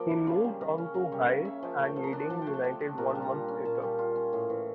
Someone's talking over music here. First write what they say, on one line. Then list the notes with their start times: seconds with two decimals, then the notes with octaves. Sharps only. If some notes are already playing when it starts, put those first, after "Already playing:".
He moved on to Hayes and Yeading United one month later.
Already playing: F3 A#3 D5 F5 G5
0.11 D4
0.27 C#3 C#5
0.44 G3
0.61 C#3 A#4
0.78 C#4
0.94 C#3 A#4
1.12 G3 C#5
1.28 C#3 E5
1.45 C#4 E5
1.63 F3
1.79 A3
1.85 G5
1.96 F3
2.04 A5 A#5
2.13 D4
2.30 F3 A5
2.42 A3 G5
2.54 A5
2.64 F3
2.80 D4
2.98 A#2 A#5
3.10 A5
3.15 G3
3.22 A#5
3.31 F4
3.48 C#4
3.65 A#2 A5
3.75 G5
3.82 G3 A5
3.99 F4
4.16 C#4
4.33 A2
4.50 E3